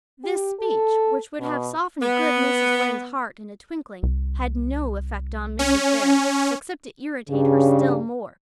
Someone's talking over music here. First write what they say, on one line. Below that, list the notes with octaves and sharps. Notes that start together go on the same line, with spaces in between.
This speech which would have softened good Mrs. Lynde's heart in a twinkling, had no effect on Mrs. Barry except to irritate her still more.
G4
A4
B2
B3
C2
C#4
G2 C#3